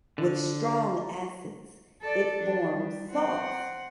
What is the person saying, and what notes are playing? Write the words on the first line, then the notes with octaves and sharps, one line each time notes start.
With strong acids, it forms salts.
D3
A4 D5
F3 D4
G3
C4 F#5